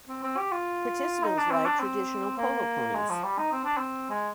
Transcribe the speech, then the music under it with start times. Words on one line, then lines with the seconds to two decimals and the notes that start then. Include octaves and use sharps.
Participants ride traditional polo ponies.
0.09 C4
0.23 C4
0.37 G4
0.51 F4
1.23 D#4
1.38 D4
1.51 C4
1.66 D4
1.80 C4
2.37 A#3
2.94 G#3
3.09 F3
3.23 G3
3.38 D#4
3.52 C4
3.65 D4
3.77 C4
4.10 G#3